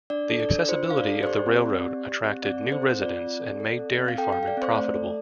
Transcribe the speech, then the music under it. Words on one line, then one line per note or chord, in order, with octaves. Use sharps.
The accessibility of the railroad attracted new residents and made dairy farming profitable.
D4 D5
A4
D5
D4
F4 C5
D4 F5
D5
A4
C5
G4 D5
C4
C4
G4
G4
C4
C4 D5
A4
C5
C4
F4 D5
C4
A4
A4
C4
C4
F5
A4 G5
F5
A4
F5
D5
C4 C5
A3 D5
A4